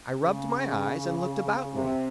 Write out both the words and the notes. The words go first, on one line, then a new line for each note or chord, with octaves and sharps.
I rubbed my eyes, and looked about me.
C#3
C3